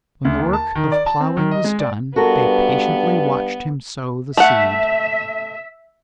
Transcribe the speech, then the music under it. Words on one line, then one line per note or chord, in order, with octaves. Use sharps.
When the work of plowing was done, they patiently watched him sow the seed.
D2
D#2
A5
D#3
D5
A5
C4
D#3
D#5
G#3
D5
G2 B3 F#4 A4 A#4
A3 E5 F#5